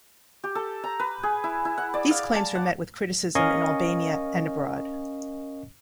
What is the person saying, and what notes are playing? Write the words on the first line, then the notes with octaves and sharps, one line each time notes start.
These claims were met with criticism in Albania and abroad.
G4
A4
A#5
B4
G#4
E4
E4
F#5
D5
F5
A5
F#5
C#4 A#4 D#5 F5 G#5 C#6